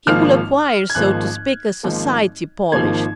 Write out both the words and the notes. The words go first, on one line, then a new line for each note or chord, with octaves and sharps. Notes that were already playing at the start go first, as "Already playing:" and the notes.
He will acquire, so to speak, a society polish....
G#1 G#2 F3 A#3 F6
G#6
G#1 G#2 F3 A#3 F#6
G#1 G#2 F3 A#3
G#1 G#2 F3 A#3 G#6